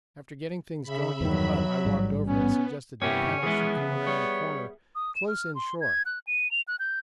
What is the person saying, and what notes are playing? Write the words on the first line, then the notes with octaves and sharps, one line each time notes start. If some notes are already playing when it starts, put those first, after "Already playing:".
After getting things going at the hut, I walked over and suggested that Pennell should come round the corner close in shore.
C#3 E5 B5
E2 G2 D#3 F#3
A1 G#2 G3
B3 C#4
G2 C3 B3 C#4 E4 G4 C#5
E3 G#3 B3 G#4 E5
C#3
G3 C#5
D#6
E7
F6
C6
G#6
F#6
D#7
F7
F#6
G6